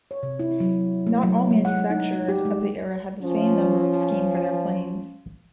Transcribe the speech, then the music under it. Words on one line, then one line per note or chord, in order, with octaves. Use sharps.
Not all manufacturers of the era had the same number scheme for their planes.
C#5
C3
E4
F#3
A3
F#3
G#3
F#5
D#4
G4
G#3
F3 C#4